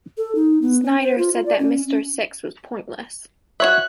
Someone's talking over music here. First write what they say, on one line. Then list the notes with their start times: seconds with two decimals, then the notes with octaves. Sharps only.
Snyder said that Mr. Six was pointless.
0.17 A4
0.35 D#4
0.62 B3
0.84 C#4
1.01 C5
1.18 F4
1.34 F4
1.46 D5
1.59 C#4
1.87 C#4
3.60 F#4 C#5 E5 F#6